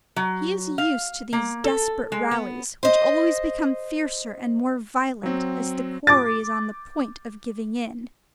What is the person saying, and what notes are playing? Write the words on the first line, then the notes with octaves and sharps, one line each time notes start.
He is used to these desperate rallies, which always become fiercer and more violent as the quarry is on the point of giving in.
F#3
F5
A#3
A4
G#3
B3
C5 D#5
F#3 C4
D6 A6